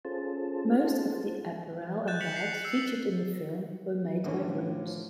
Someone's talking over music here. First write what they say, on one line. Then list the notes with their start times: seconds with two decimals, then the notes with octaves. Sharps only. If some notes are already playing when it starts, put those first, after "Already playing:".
Most of the apparel and bags featured in the film were made by Roots.
0.05 C#4 F4 G#4 A4 C5 A5
2.08 F#6 G6 A6 E7
2.21 B6 C#7 F7 F#7
2.36 C7 C#7
2.64 E6 G6 C7 C#7 F#7
4.24 A2 D3 E3 F3 C#4